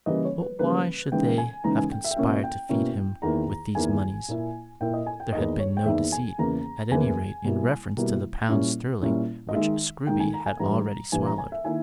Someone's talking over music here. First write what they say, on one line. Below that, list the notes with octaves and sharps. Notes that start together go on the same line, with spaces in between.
But why should they have conspired to feed him with these moneys? There had been no deceit, at any rate, in reference to the pounds sterling which Scruby had already swallowed.
C#3 E3 G3 A#3 D#5
C#5
B4
C#3 E3 G3 A#3 B4
C#3 E3 G#3 D#4 G5
G#5
C#3 E3 G#3 D#4 A#5
G#5
G5
E5
G5
B2 A#3 C#4 E4 E5
G5
B2 A#3 C#4 E4
E2 D#3 A#3 E4 A#5
E2 D#3 A#3 E4 G#5
A#2 A#3 E4
A#2 A#3 E4 G5
D#5
G#5
G5
E2 D#3 A#3 D#4 D#5
C#5
G5
E2 D#3 A#3 D#4 E5
G#5
E2 C#3 E3 A#3 A#5
E2 C#3 E3 A#3 G#5
B2 G3 A#3 E4
B2 G3 A#3 E4
A#2 G3 C#4 E4
A#2 G3 C#4 E4
D#5
D#3 G#3 D#4 E5
D#3 G#3 D#4 G5
G#5
A#5
G#5
G2 E3 G3 A#5
G2 E3 G3 G#5
A#5
G#5
E5
D#3 A#3 E4 G#5